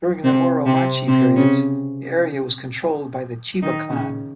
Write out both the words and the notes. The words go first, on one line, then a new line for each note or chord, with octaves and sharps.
During the Muromachi periods, the area was controlled by the Chiba clan.
C3 C4
C3 C4
C3 C4
C#3 C#4
D#3 D#4
C#3 C#4